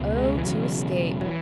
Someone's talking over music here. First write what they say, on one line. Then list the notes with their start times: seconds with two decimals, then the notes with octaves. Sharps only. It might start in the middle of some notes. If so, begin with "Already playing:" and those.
Oh, to escape!
Already playing: C#2 B2
0.16 G#3
0.37 E3
0.44 E1 E2 C#3 F#3
1.21 F#3
1.26 E3